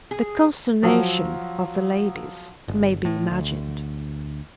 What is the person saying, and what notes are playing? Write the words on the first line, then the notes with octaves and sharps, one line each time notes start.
The consternation of the ladies may be imagined.
G#4
F3 F#3
G1
A2
D2